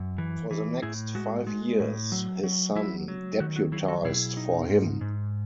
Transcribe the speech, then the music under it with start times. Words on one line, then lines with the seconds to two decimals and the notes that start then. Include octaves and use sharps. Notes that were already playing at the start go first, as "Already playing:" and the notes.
For the next five years his son deputised for him.
Already playing: F#2
0.18 E3
0.51 E3
0.82 A2 E4 G#4
1.15 G#3 F#4
1.47 G#3
1.80 A2
2.12 F#3
2.43 F#3
2.75 F#3 E4
3.08 F#3
3.40 D#3 F#4
3.56 F#4
3.72 F#3 E4 G#4
3.88 F#4 A4
4.04 B2 E4 G#4
4.37 D#4
4.69 G#2
5.01 G#2